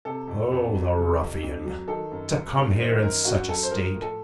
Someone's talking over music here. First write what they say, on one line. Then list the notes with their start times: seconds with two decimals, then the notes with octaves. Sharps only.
O the ruffian! to come here in such a state!
0.05 C3 A4
0.27 F2
0.51 F2
0.74 F#3
0.96 C3
1.20 F2
1.42 F2
1.65 F#3
1.88 D#3 A4
2.11 F#2
2.34 F#2
2.56 F#3
2.79 D#3 C5
3.02 F#2 A#4
3.25 F#2 F#4
3.49 F#3 A4
3.63 C5
3.71 F3 A#4
3.94 A2
4.02 A4